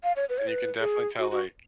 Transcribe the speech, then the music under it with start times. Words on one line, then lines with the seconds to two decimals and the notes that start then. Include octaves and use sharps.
And you can definitely tell, like
0.04 F5
0.16 C#5
0.29 B4
0.38 C#5
0.47 B4
0.80 G#4
1.19 F#4
1.31 F#4